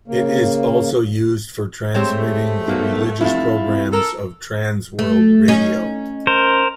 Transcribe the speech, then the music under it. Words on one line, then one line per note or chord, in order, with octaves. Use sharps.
It is also used for transmitting the religious programmes of Trans World Radio.
C#3 A#3
G#3 A3 C4 G4 C5 C#5
B1 F#3 A#3 C4
F1 E2 A2 E4 F4
C2
A4 A#4
A3
C#4 D#4
A#4 C5